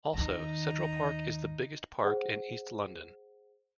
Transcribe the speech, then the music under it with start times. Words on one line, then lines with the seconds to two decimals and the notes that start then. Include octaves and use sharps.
Also central park is the biggest park in east London.
0.13 D#2 D#3 D#4 A#5
2.04 G#4 C5 F#5